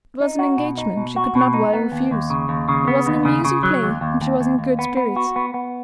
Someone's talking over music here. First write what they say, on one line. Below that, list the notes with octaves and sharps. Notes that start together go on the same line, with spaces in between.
It was an engagement she could not well refuse. It was an amusing play and she was in good spirits.
D#4
F#4
B2
D#4
B2
F#4
B2
D#4
B3
D#2
D#2
C#3
D#2
C#3
B3
D#2
C#3
C#3
F#3
D#2
D#2
D#2
D#2
D#2
B3
B3
F#4
B3
B3